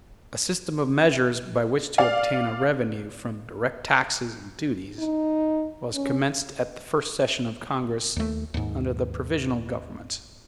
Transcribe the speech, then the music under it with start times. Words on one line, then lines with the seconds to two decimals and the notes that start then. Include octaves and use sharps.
A system of measures by which to obtain a revenue from direct taxes and duties was commenced at the first session of Congress under the provisional Government.
1.98 D5 F5
4.99 D#4
5.94 C#4
8.16 D#2 A3
8.54 D#2 G#2